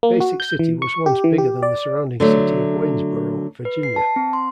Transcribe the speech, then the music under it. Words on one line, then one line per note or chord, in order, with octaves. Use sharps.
Basic City was once bigger than the surrounding city of Waynesboro, Virginia.
A#3
F#4
G6
E3
C#6
G4
E3
G4
D5
D3 F#3 A3
B4
C7
A5
C4
C6